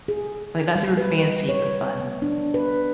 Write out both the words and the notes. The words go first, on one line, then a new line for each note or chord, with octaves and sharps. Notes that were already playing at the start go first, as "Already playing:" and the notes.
like, not super fancy, but fun.
G#4
G3
B4
C#5
B3
D4
B4